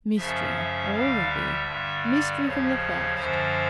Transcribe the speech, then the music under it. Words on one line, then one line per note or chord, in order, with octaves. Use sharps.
'Mystery already--mystery from the first.
F#2 C#3 F3 E5
E5
D2 D3 G3 F5
E5
G2 D3 G3
D5
D#2 C#3 F3 C#5
F#2 D3 F3 C5